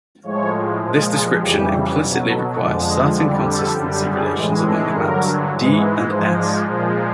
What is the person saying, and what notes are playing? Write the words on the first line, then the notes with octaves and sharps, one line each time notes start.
This description implicitly requires certain consistency relations among the maps "d" and "s".
A2 F3 G#3 C#5
A#2 F3 G#3
G#4
F2 C#3 E3 G3 G4
B2 F#3
A4
F2 D3 F3 G#3 D5
D#5
F2 D3 G3 D5
A4
F#2 D3 G3
G#4
A2 E3 G#3
A4
G2 D3 F#3 A#4
G#2 E3 G#3
B4
G#2 F3 G#3 C5
D5
A#2 F3 G#3